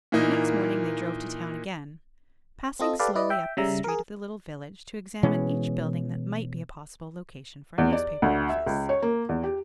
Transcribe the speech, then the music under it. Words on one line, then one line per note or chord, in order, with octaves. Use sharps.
The next morning they drove to town again, passing slowly up the street of the little village to examine each building that might be a possible location for a newspaper office.
A#2 E3 A#3 D#4
C4 F4 A4 D#5
G4 A4 B4 D5 F5
E4 B4 D5 D#5
E5 G5
C#3 G3 E5 A#5
G#4 A#4
B2 E3 G#3 C#4
E2
D5
D2
E5
C#2
C#5
A#3
E2
G4